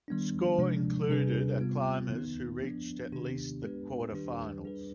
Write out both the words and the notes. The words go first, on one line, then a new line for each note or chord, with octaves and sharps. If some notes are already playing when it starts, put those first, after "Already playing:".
Score Included are climbers who reached at least the quarterfinals.
D#3 G3 B3 D4
C3 F3 G#3 D4
C3 G3 D4 G#4 B4
C3 G3 B3 F4
D#3 B3 D#4
F3 B3 D4
C3 D#3 B3 D4 G4
G#3 B3 D4 G4 B4
D#3 G3 D4 G4 B4
G3 D4 G#4 B4